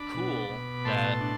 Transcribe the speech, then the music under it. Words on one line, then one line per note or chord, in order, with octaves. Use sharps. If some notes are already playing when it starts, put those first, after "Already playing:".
cool that
Already playing: D4 B5 D6
B2
B2
A2 A5 C6
D4